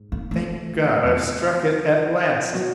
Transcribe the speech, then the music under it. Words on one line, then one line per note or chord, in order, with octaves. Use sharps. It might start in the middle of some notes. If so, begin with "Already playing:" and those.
"Thank God, I've struck it at last!"
Already playing: G#2
A#3
A3
E2 C3 F3
B2 F#3